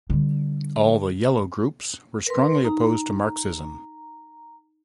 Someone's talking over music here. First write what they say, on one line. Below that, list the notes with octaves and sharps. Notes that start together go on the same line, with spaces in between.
All the "Yellow" groups were strongly opposed to Marxism.
D3 G3
A#4 B4 C6
D#4 A#5